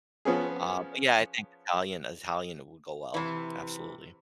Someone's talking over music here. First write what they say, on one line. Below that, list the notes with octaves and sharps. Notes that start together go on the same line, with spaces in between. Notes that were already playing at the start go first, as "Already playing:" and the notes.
Uh, but, yeah, I think Italian Italian would go well, absolutely.
F3 B3 C#4 G#4
C3 E3